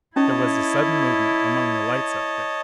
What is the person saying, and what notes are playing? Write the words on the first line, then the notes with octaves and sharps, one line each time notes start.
There was a sudden movement among the lights up there.
C#4 D#4 E4 C#5 D#5 A5